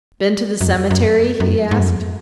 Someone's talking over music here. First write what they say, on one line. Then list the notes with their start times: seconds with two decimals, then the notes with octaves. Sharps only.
"Been to the cemetery?" he asked.
0.61 F#2
0.66 F2
0.90 F#2
1.40 F#2
1.71 G#2
1.80 F#2
1.88 F2